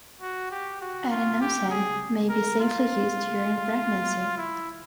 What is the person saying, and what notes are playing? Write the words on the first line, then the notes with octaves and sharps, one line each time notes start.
Adenosine may be safely used during pregnancy.
F#4
G4
F#4
F4
G4
G#4
A#4
F4
E4